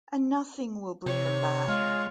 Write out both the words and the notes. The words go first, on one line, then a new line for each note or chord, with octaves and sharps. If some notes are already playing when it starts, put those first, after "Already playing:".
And nothing will bring them back.
C3 C#5
G#3 F4